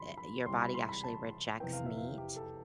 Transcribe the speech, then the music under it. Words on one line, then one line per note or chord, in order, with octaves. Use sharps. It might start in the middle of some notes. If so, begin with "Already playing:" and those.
uh, your body actually rejects meat.
Already playing: G2 D3 F3 B5 C6
B5
C2 C3 G3 C6
B5
C6
B5
A5
F1 E2 C3 E3 B3 G5
F5
E5
F5
G4
A4